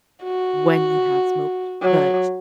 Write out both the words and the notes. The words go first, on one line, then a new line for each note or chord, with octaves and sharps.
when you have smoked, but
F#4
F#3